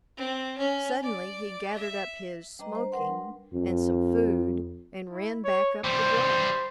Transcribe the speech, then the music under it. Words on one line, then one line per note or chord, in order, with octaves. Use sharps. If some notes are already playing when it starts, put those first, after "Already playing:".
Suddenly he gathered up his "smoking" and some food and ran back up the draw.
C4
C#4
D5
E5
G3 D4 B4 D#5 A#5
C5
G3 D4 A#4 B4 F#5 C6
F2
E4
C#5
E3 G3 C5